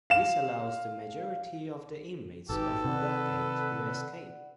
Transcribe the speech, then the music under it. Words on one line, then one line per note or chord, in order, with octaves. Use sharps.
This allows the majority of the inmates of Blackgate to escape.
F5 E7
G#1 A3 D#4 F#4 G4 A4 B4
C3 D#3 B4 D5 F#5